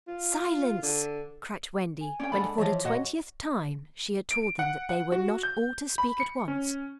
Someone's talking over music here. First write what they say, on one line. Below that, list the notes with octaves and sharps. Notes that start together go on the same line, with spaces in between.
'Silence,' cried Wendy when for the twentieth time she had told them that they were not all to speak at once.
F4
D3
G#5
C#4 D4 D5 G5
G#3 D4 A4 D5 F#5 B5
E3 F3 C#5 D#5 E5 A5
A#2 F#4 D#5 F#5
D7
F#5
F#5
F#4
G6
B5
C#7
C#4